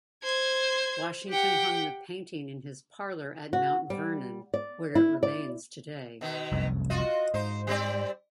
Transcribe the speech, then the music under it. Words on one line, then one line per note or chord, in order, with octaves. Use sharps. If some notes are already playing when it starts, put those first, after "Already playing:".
Washington hung the painting in his parlor at Mount Vernon, where it remains today.
C5 G#6
G4 F#5 G5
F#4
G3
D5
E4
D5
B2 D#3
F1 C2 F#2
F4 F#4 D#5
G#2 D#4 C5
G3 C4 D5